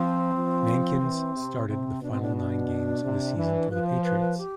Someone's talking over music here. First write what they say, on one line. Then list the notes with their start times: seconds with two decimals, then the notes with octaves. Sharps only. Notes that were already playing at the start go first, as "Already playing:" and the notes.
Mankins started the final nine games of the season for the Patriots.
Already playing: F3 C4
0.34 F3
1.01 E3
1.35 C3
1.68 C3 C4
2.02 B2 D4
2.11 C4
2.22 D4
2.36 D4
3.03 C3
3.36 E3
3.70 F3 B4
3.86 C5
4.04 B4
4.20 B4
4.37 G4